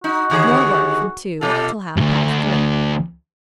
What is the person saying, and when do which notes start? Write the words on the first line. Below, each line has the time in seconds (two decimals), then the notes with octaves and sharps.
More work from two till half past three.
0.04 D#4 F#4
0.30 D#2 D3 G#4
1.41 B2 F4 A4
1.96 D2 G2